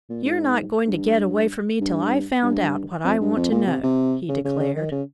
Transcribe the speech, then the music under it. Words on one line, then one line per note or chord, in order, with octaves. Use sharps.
"You're not going to get away from me till I've found out what I want to know," he declared.
A#2
G#2
G2
G2
G2
F2
G2
F2
A#2
C3
C3
C#3
C#3
C#3
D#3
C#3